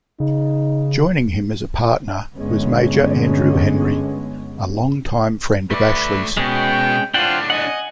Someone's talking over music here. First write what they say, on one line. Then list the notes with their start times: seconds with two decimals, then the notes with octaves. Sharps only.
Joining him as a partner was Major Andrew Henry, a long-time friend of Ashley's.
0.20 C#3 D#4
2.35 G1 G2 D3 G#3 B3 C#4
5.71 A3 B4 D5
6.37 B2 G#3 C#4 G5
7.14 A2 D4 F4 C5 F#5 G5
7.50 D#5 F#5 G#5